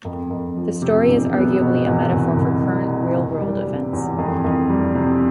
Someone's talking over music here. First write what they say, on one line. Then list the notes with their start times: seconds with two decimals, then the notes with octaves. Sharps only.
The story is arguably a metaphor for current real-world events.
0.05 F2
0.30 F2
0.56 F3
0.82 C3
1.08 E1
1.34 B3
1.60 B2
1.86 E2
2.12 C2
2.37 C2
2.63 G3
2.88 C3
3.15 F1
3.41 G3
3.66 C3
3.93 E2
4.18 F2
4.44 F2
4.70 G3
4.95 C3